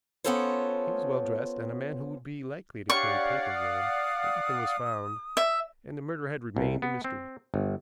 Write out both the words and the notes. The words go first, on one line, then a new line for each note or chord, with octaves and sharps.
He was well dressed, and a man who would be likely to carry papers with him, but nothing was found, and the murder had remained a mystery.
B3 C#4 F4 A4 C5 C#5
D4 G4 C#5 D5 F5 F#5 C#6
D#6
E5
C2
B3
C4
G1